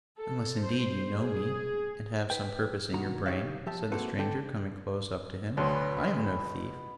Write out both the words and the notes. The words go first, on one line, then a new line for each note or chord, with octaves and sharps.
Unless indeed you know me, and have some purpose in your brain?' said the stranger, coming close up to him. 'I am no thief.'
A4
C5
G#4
B4 G5
B1 A#2 D#3 F#4 A#5
D#4 G4 C#5 D5 E5 F5
F3 G4 E5 A5
A#3 C4 E4 F#4 A4 B4
D3 C4 D4 A4 G5
D2 B2 B4 C#5 C6